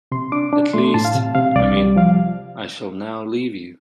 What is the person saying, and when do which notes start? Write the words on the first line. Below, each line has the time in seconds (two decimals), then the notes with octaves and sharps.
At least, I mean, I shall now leave you.
0.12 C3 C6
0.32 D4 D6
0.53 D4
0.73 A3 C6
0.85 C6
0.94 A2 A5
1.05 F5
1.15 C3
1.35 C3 F5
1.56 C2 D5
1.77 G3
1.96 F3 F5